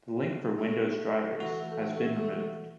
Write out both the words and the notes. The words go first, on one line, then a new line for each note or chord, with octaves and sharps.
The link for Windows drivers has been removed.
A3
E3 F#4